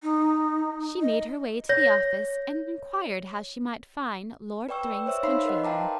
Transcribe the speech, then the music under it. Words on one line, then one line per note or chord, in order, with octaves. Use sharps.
She made her way to the office and inquired how she might find Lord Thryng's country home.
D#4
D#5
C#5 A#6
B4 D5 G5 C#6 E6
C5 C#5 E5 E6
D#4 F5 B5 C6 C7
A#4 B4 D#5 F#5
F5 G5 A5 A#5 D6